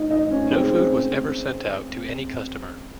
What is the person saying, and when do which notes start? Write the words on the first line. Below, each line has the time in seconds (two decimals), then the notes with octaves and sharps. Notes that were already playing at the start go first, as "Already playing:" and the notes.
No food was ever sent out to any customer.
Already playing: D#4
0.10 D#4
0.31 C#4
0.50 C#3 G#3 C4